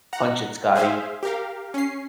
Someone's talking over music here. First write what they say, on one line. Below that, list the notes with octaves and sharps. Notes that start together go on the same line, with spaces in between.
"Punch it, Scotty"
F#5 A#5
G#4 C5 E5 F5
G4 A#4 F5
C#4 C7